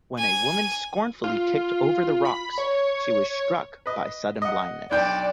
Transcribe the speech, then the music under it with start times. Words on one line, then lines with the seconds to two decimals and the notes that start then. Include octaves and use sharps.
When a woman scornfully kicked over the rocks she was struck by sudden blindness.
0.18 G#5
1.24 F4
2.25 B5
2.58 C#5
3.86 B4 D#5
4.42 D#5 F#5
4.91 B1 D4 D5 G5